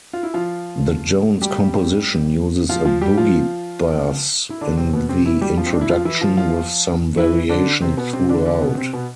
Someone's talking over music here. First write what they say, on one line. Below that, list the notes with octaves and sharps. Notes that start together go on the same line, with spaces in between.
The Jones composition uses a boogie bass in the introduction with some variation throughout.
F4
E4
F3 F4
G3 G4
F3 F4
F3 F4
G3 G4
F3 F4
E4
D3 D4
C3 C4
B2 B3
C3 C4
E3 E4
G3 G4
F3 F4
C4
D4
E4
F3 F4
E3 E4
F3 F4
F3 F4
E3 E4
D3 D4
C3 C4
B2 B3
C3 C4
D3 D4
D3 D4
B2 B3
C3 C4
B2 B3